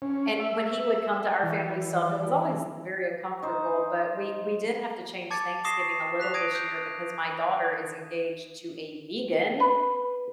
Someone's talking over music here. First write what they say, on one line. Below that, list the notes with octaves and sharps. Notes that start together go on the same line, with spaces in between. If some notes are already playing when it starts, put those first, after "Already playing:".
and when he would come to our family stuff, it was always very uncomfortable, but we we did have to change Thanksgiving a little this year because my daughter is engaged to a vegan
C#4
E5
E3
D#4 C5
A5 D6 G#6 A6 C#7
C#6 D#6 A#6 C7 E7
F#6 B6 F7
D#6 G#6 A#6 D7 D#7
G6
B4